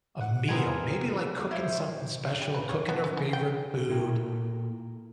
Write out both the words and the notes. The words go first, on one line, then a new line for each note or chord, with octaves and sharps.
a meal. Maybe like cooking something special, cooking her favorite food,
F#5
G#3 B3 C4 G#4 A#4
E4 F4 C5
G4
B4
C#5
B3
C#4
C#4
G5
A#2 E4 A4 A#4 G5